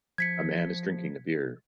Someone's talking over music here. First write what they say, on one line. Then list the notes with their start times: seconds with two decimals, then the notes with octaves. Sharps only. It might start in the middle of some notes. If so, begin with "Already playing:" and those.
A man is drinking a beer.
0.18 F3 G#6 B6 C#7